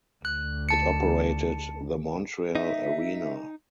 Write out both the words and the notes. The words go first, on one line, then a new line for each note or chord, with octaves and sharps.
It operated the Montreal Arena.
D2 F#6
A5 C#7
D#4 E5